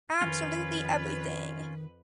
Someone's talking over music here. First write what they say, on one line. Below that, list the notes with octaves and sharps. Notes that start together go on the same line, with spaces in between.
Absolutely everything.
F2 D#3 C#4 F4 B4